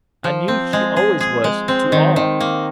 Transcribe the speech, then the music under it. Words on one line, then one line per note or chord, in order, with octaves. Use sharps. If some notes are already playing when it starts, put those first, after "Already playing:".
I knew she always was, to all.
F3
C4
G#3
G#4
G#4
G#3
C4
D#3
D#3
A#3